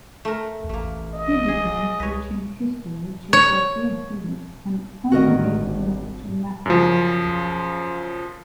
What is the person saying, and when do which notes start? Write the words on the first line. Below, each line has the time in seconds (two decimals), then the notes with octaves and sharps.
He began teaching history, geography and physics, and only later moved to mathematics.
0.25 A3 A#4
0.69 A1 A3 A#3
1.14 D#5
1.48 G#4
2.00 C2 B4 C#5
3.33 C#5
5.12 A1 D3 D#3 F#4 A#4 D#5
5.60 G#1
6.66 F#2 C#3 F3